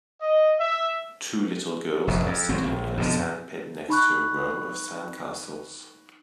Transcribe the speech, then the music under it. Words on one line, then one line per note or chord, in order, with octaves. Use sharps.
Two little girls are sitting in a sandpit next to a row of sand castles.
D#5
E5
F1 A#1 F#2
F2
G#1 F#3 C4
A#1
F2 B2 D3
D#4 B5 C#6 F#6